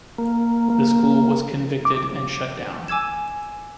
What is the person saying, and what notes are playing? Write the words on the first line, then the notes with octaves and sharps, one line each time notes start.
The school was convicted and shut down.
A#3
A#3
D6
G#5 D6 E6 G#6 E7